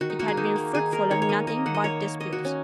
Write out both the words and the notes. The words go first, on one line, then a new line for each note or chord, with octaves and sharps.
It had been fruitful of nothing but disputes.
D#3 F#4
D#4
A#3 F#4
G#4
D#3 D#4
A#3
D#3 G#4
A#3 A#4
D#3 C#5
C#5
A#3 D#5
A#3 D#5
D#3 F#5
D#5
A#3 C#5
A#3
A#3 D#5
F#4
D#3
C#4